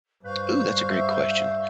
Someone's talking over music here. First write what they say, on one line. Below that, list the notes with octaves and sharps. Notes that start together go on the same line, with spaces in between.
Ooh, that's a great question.
G2 B4 C5 F5 C#6 G6
E5